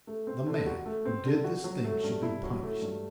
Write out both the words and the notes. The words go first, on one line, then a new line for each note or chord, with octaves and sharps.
The man who did this thing should be punished.
A3
C4
D3
F#4
A3
C4
D3
F#4
F#3
A3
G2
E4
F#3
A3
G2